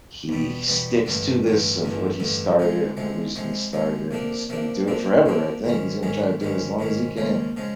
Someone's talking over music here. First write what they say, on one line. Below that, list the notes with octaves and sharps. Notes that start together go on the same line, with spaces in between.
he sticks to this of what he started and the reason he started it, and he's gonna do it forever I think he's gonna try to do it as long as he can.
E2 B2 G3
E2 B2 G3
A1 G2 D3
A1 G2 D3
A1 G2 D3
A1 G2 D3
C3 F3 G#3
C3 F3 G#3
C3 F3 G#3
C3 F3 G#3
C3 F3 A#3 D4
C3 F3 A#3 D4
C3 F3 A#3 D4
C3 F3 A#3 D4
G#2 D#3 G#3 C#4
G#2 D#3 G#3 C#4
G#2 D#3 G#3 C#4
G#2 D#3 G#3 C#4
D#2 C#3 F3 G#3
C#3 F3 G#3